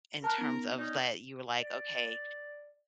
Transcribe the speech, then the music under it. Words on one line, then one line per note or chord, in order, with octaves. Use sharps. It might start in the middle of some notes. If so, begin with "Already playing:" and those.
in terms of that you were like, "Okay,
A#4 A5 F6 F#6
B3 C#4 D#4
C#4 D#4 D5
D5